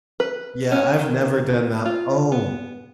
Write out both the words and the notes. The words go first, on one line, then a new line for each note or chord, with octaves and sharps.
Yeah, I've never done that o Oh,
B4
C#4
D#3
F4
B3